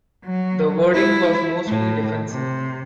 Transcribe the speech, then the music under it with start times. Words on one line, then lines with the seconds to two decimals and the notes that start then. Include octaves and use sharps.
The wording was mostly defensive.
0.25 F#3
0.95 E4
1.68 A2
2.31 C3